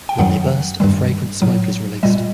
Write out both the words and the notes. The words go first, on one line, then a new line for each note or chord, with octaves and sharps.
When they burst a fragrant smoke is released.
G5
F#2 D#3 F#3 F#5
G2 D#3 G3
A2 F#3
A#2 G3 D#5